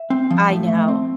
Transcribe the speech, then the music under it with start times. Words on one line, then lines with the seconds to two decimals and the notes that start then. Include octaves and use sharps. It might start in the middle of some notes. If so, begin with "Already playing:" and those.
I know.
Already playing: E5
0.10 C4
0.30 F3
0.50 A2
0.68 A3
0.88 C4